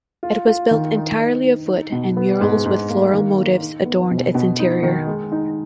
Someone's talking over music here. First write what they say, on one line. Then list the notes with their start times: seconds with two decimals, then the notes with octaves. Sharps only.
It was built entirely of wood, and murals with floral motifs adorned its interior.
0.23 F4
0.47 F4
0.71 D#3
0.96 D#4
1.19 D#4
1.44 D#4
1.68 D#4
1.92 B2
2.17 B3
2.41 G#2
2.65 G#2
2.89 A#3
3.13 D#3
3.38 A#3
3.62 D#4
3.85 B3
4.11 B2
4.35 B2
4.59 D#4
4.83 D#3
5.07 G#3
5.32 D#4